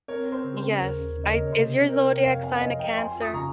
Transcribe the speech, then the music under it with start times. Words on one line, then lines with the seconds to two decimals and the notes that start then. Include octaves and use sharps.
Yes, I is your zodiac sign a Cancer?
0.08 C4 A#4 C#5
0.25 A#4
0.32 C5
0.44 C#3
0.57 C5
0.80 D#2 A#4
1.17 C#3
1.24 D#5
1.29 A#4 C#5
1.46 C#5
1.52 C3 C5 D#5
1.89 C3 A#4 C#5
2.15 G5
2.25 F2 C#5 F5
2.43 F5 G#5
2.55 C#5
2.61 F2 C5 D#5
2.79 D#5 G5
2.97 F4 G#5 C6
3.21 D#6
3.33 C#3 A#5 C#6